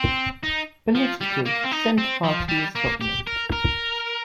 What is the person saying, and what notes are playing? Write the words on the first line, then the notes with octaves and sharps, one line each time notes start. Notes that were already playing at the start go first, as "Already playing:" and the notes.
Politically, Centre Party is dominant.
Already playing: C4
D#4
F3
G3
A#3
C4
D#4
C4
F3
G3
A#3
G4
A#4
A#4